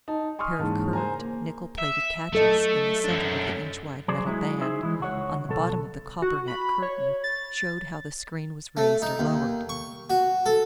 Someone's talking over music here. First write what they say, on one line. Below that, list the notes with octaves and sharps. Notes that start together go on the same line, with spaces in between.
A pair of curved, nickel-plated catches in the center of the inch-wide metal band on the bottom of the coppernet curtain showed how the screen was raised or lowered.
D#4 A5
G#5 C6 C#6 D#6 F6
E2 G#2 C#3 G#3 A#3 A5
C5 G#5 A#5
A#3
E5
F#3 A3 A4 D#5
F#2 D4
F#3 G#4 C5 D5
F#3 G#3 E4 G#4
D#4 G#4 C5 E5
E3 G#3
C#2 F#4 C#5
B1 A4
F#4
B5
C#5
A6
A3
D#4
D#2
C#6
F#4
A4